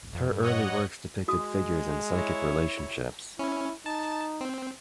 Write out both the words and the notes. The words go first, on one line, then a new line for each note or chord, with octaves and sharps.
Her early works depicted figures in psychic relationships.
F2
G2
C#5 D#5 F#5
G#3 F#4 D#6
E4 C#5
C#4 E4
D#4 A5
C4